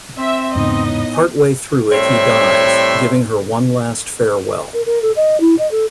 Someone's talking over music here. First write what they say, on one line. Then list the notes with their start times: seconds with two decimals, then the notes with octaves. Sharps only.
Part way through it, he dies, giving her one last farewell.
0.18 C4 E5
0.55 E2 G#2 C#3 B3 D#4 D#5
0.86 A2
1.92 A2 G3 C4 C#5 E5 C6
4.74 A#4
4.86 A#4
5.02 A4
5.16 D#5
5.40 E4
5.58 D#5
5.71 A4